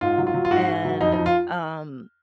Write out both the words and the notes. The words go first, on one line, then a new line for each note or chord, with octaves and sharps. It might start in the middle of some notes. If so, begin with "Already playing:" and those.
and, um
G#2 F4
F#3
F4
F#3
F4
G#2 F#4
G#2
F#3
F2 D#4
D#4
F3
F4